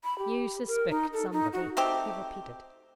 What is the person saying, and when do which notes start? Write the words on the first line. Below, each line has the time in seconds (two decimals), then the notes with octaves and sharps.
"You suspect somebody," he repeated.
0.04 B5
0.19 G4
0.67 A#4
0.90 D#4
1.13 A4
1.32 D#4
1.53 F#4
1.77 A3 C4 D#4 G4